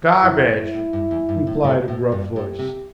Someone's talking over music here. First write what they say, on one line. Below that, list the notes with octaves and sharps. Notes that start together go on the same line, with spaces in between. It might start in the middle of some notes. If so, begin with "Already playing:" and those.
"Garbage!" replied a gruff voice.
G2 E4
E2
G2 E4
A2
G2
E2
G2
A2
A2 D3
A2
G2
A2 G4
C3